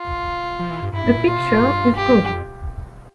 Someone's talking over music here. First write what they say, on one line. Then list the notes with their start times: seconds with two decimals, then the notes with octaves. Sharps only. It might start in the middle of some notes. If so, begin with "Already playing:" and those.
The picture is good.
Already playing: F4
0.60 F3
0.70 E3
0.82 G2
0.93 G2 E4
1.06 G2
1.17 A#2
1.27 A#2 F4
1.39 C3
1.51 A#2
1.62 G2
1.96 G4
2.12 G#2
2.21 G2
2.32 F2